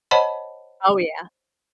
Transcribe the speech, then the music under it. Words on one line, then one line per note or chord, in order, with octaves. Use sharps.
Oh, yeah.
C5 C#5 D#5 F#5 A5 B5